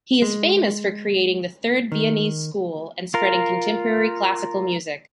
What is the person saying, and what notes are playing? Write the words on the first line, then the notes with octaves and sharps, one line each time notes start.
He is famous for creating the "Third Viennese School" and spreading contemporary classical music.
G#3
D#3
F4 A#4